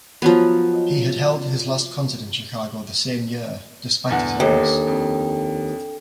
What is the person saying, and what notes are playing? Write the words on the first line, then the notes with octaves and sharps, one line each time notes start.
He had held his last concert in Chicago the same year, despite his illness.
F3 F#3 B3
E2 D3 F#5
D#2 D4 A4 G5
F2